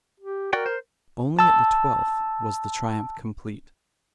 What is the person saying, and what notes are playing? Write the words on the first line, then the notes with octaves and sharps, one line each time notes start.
Only at the twelfth was the triumph complete.
G4
F#4 A#4 D5 G5
C5
A5 E6